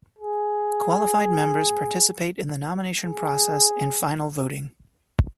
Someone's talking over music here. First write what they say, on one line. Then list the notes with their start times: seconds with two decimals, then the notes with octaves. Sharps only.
Qualified members participate in the nomination process and final voting.
0.18 G#4
3.05 G#4